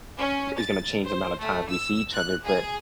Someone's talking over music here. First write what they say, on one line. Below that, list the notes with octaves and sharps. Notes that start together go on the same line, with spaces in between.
is gonna change the amount of time we see each other, but,
C#4
A6
C5
A3
E6
F#6
G#4